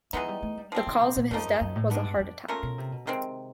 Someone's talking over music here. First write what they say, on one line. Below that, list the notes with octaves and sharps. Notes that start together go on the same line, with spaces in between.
The cause of his death was a heart attack.
E3 F3 G#3 B3 D#4
G3
A3
G3
F3 G#3 C4
D#3
A#2
A#2
F2 C#3 F3 A#3 D#4
F#2
F#2
A2
G#2 G#3 B3 D4
G2
F#2
F2
A3 C#4 F4 A#4
B2
C3
B2
C3 D#3 G#3 C4